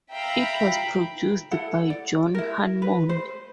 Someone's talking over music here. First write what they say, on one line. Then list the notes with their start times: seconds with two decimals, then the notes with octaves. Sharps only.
It was produced by John Hammond.
0.13 E5 F5 G5 A#5 B5
1.51 E4 A4 F#5
1.90 D5
2.35 E4 A#4
2.82 B4
3.09 C5